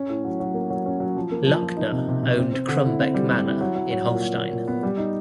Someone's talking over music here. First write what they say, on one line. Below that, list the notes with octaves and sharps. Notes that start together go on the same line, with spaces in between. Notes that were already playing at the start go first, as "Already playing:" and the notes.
Luckner owned Krummbek Manor in Holstein.
Already playing: C#4
A2
F#3
F#3
A#3
F#3
C#4
F#3
F3
A#3
F3
F3
D#4
C3
C3
C3
C4
C4
D3
E4
C4
G3
G3
E4
F#3
F#3
F#3
A#2
F#3
A#2
A#2
B3
G3
D#4